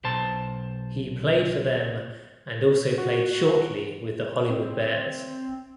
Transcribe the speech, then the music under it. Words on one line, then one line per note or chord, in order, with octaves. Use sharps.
He played for them and also played shortly with the Hollywood Bears.
B1 C5 A5
F#4
C4